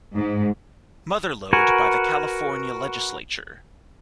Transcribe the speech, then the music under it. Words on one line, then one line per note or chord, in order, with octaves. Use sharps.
Mother Lode by the California legislature.
G#2
F#4 A#4 B4 G#5